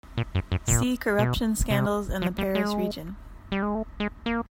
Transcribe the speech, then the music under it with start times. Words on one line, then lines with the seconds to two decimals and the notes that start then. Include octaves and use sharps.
See corruption scandals in the Paris region.
0.18 A#2
0.35 F#2
0.52 F#2
0.68 A#2
1.19 B2
1.70 C3
2.22 F3
2.38 G3
2.55 G#3
3.52 G3
3.62 G#3
3.75 A3
4.00 G#3
4.26 A#3